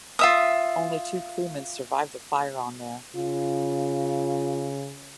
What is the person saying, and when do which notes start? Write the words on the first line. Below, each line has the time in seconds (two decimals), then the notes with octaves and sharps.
Only two crewmen survived the fire on there.
0.19 F4 E5 D#6
3.16 C#3 F4